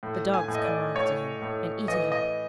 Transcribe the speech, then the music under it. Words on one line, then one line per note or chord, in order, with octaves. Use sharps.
The dogs come after him, and eat it up.
A2
G#5
A2
D#5
D5
A2 C#5
A2
E3 D#5
D#5